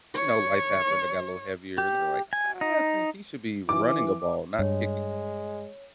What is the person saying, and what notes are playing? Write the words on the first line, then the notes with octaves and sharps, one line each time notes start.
you know, life happened, I got a little heavier, and they're like, "I think he should be running a ball, not kicking one."
C#5
G4
G#5
D#4
E3 D6
G2 G#3 C#5